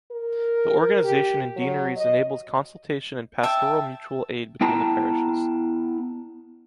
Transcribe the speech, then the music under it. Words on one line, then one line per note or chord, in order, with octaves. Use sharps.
The organization in deaneries enables consultation and pastoral mutual aid between the parishes.
A#4
G4
F#3
D#5
E5 G5 A5
B3 E4 G5 A5 A#5